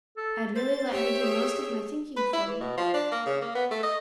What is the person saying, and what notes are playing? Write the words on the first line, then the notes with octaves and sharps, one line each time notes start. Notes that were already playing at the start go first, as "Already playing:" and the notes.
I had really let her do most of my thinking for me.
A4
C5 A6
G4 C#5 E5
G#4
B4
E4
E3
B2
F3
D4
A#3
C#3
A#3
B3
A3
D#5